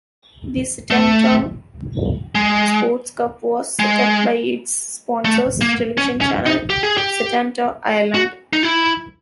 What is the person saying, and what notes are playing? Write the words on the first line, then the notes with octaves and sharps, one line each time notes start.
The Setanta Sports Cup was set up by its sponsors, television channel Setanta Ireland.
A3
G#3
G#3
A3
A#3
C#4
C#4
D#4
G4
G#4
G4
F#4
D#4
E4